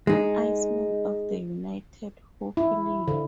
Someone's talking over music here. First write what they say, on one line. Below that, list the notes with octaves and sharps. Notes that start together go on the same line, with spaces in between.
Icemen of the United Hockey League.
G#3 D#4
E4
D3